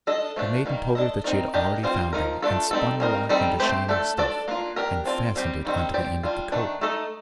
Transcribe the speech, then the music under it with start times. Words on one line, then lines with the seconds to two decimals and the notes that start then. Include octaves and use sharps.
The maiden told her that she had already found him, and spun the lock into shining stuff, and fastened it on to the end of the coat.
0.07 D4 A4 D#5
0.36 F3 A3 D4
0.66 D#3 G3 A#3
0.95 D4 A4 D#5
1.24 C4 D#4 A#4 D5
1.54 D4 G4 A#4 D#5
1.83 G3 C4 F4 C5
2.13 F3 A3 D#4 A#4
2.42 A3 D4 F4 A4
2.71 G3 C4 D#4 A4
3.00 G3 C4 D#4 A#4 D#5
3.29 G3 C4 D#4 A4
3.60 A3 C4 G4 C5
3.89 A3 D4 A4
4.18 D4 A4 D5
4.48 A#3 D4 F4
4.76 D4 G4 A#4
5.05 C4 F4 A4 D5
5.36 G3 C4 G4
5.65 D#3 G3 C4 D#4
5.94 C4 G4 D5
6.23 G3 D4 F4
6.52 D#3 A3 D4
6.81 A3 D#4 A4 D#5